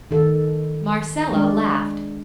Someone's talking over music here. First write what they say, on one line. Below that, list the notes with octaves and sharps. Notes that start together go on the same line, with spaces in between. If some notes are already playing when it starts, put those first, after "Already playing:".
Marcella laughed.
D#3 A4
G#3 D4